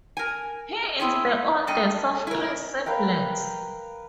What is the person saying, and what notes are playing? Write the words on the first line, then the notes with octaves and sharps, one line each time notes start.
He is the oldest of three siblings.
A#4 G#5
E4 G#4 G5 C6 E6
G2 A4 D#5 G5
E4 A#4
A#4 B4 F5 G5